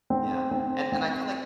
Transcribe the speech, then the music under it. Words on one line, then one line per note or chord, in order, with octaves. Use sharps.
yeah, and and I feel like
C4
C4
C4